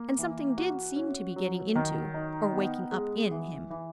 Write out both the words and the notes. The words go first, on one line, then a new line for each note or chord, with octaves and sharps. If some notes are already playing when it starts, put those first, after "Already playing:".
And something did seem to be getting into, or waking up in, him.
Already playing: A#3
E3
F#4
C#4
F#3
D#3
D#4
B3
G#3
E3
E3